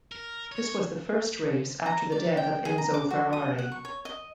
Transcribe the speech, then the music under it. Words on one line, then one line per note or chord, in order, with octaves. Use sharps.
This was the first race after the death of Enzo Ferrari.
A#4
C#5
A#5
D5
G5
G#4
A#5
D6
F#4
D#6
F#5
C#6
C#5
D#5